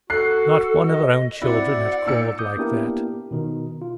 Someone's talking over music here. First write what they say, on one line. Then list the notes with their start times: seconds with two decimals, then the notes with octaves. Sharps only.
Not one of her own children had crawled like that.
0.10 F#4 A4 F#6 C7
0.86 D#5
1.41 C4 E4 F#4 D5 F#5
2.06 A#2 D#4 E6 C#7
2.39 D6 D#6 G6
2.57 A#3 B3 D4 E4 G4 A#4
3.31 B2 D#3 D#4
3.82 F4